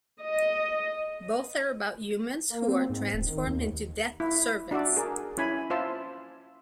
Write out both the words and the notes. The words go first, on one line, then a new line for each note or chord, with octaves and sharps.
Both are about humans who are transformed into Death's servants.
D#5
A#3
C4
G#2
D#1
D#3
D#2
E4
D4 F#4 D5 E5
G#4 A#4
C#4 E4 G#5 B5
F4 C5 E5 A5